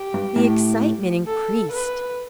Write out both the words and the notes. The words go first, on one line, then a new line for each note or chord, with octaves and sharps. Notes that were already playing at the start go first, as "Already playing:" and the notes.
The excitement increased.
Already playing: G4
G2
A2
A4
B4